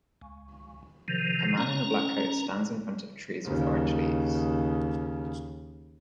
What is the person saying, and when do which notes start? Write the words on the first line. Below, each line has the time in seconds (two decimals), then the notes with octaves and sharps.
A Man in a black coat stands in front of trees with orange leaves.
0.21 C#2
1.08 C3 D#3 F3
1.58 C#4 A#5
3.45 D#2 C#3